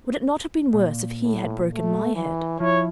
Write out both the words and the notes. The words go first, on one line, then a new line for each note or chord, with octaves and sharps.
Would it not have been worse if he had broken my head?
A#2
A2
A3
E3
F3 E4 C#5